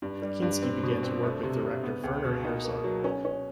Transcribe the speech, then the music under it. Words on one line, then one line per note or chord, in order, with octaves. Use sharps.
Kinski began to work with director Werner Herzog.
G2
G3
G2
C4
B2
C4
A3
C3
C3
B3
C#2
B2
D#4
A#3
F#3
C#4
C#4